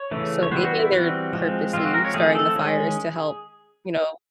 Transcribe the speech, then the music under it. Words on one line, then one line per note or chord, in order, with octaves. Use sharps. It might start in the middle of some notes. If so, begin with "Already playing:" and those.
so maybe they're purposely starting the fires to help, you know,
Already playing: C#5
C#3 E3 A3
C#5
E3 G3 B3 C5
F#4
E4
E3 G3 C4 F#4
F3 G#3 C4
F3 G#3 C4 F4
F#4
A#4
C#5
F3 A3 C4 G#4
A4
D#3 G#3 C#4 G#4